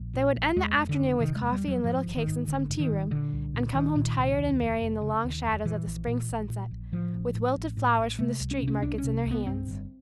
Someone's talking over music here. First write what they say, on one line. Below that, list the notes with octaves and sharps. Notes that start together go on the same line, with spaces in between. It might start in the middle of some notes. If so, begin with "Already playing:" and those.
They would end the afternoon with coffee and little cakes in some tea-room, and come home tired and merry in the long shadows of the spring sunset, with wilted flowers from the street markets in their hands.
Already playing: A#1
A#2
A#1
E2 G#3
F1
D3
F1
C3 D#3
G#3
E2
G3
F1 F#3
G#2 F3
G#1
D#3
G#2
G#1 D3
G#2
D#3
G#1
A#2 D3
C2
A#2
C2 D#3
A#2
C2
D#2
F1
F1
C#3
D#2
F1
A#2 E3
A#1
A#2
A#1
A#2
A#1
A2 F3
A1
A2
A1
A2
A1
C3 A3
C2
C#4
C3
C#4
C2 D4
C#4
C3
C2
B3
G2 C4
G1